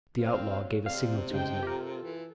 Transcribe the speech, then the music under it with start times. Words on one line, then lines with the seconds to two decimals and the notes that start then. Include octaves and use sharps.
The outlaw gave a signal to his men.
0.20 C4 A#4 C5 F5
0.53 F#3
0.86 C3 C4 D5 F5
1.31 G#2 C#3 C5 D#5 G5
1.63 F4 G4 A4 A#4
2.03 E3